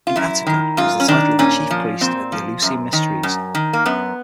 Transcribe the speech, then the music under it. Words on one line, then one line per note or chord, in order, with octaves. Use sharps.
In Attica it was the title of the chief priest at the Eleusinian Mysteries.
F4
F#2 E4
D#3
F#2 F4
C#4
D#3 D4
A#2 C#4
F3
A#2 C4
F3
F#2
D#3
F#2
D#3
A#3
F#2 B3